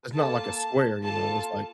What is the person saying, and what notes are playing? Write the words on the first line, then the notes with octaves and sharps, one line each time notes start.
It's not like a square, you know? It's like
A#3 F4 A4 A5
A#3 F4 A4 A5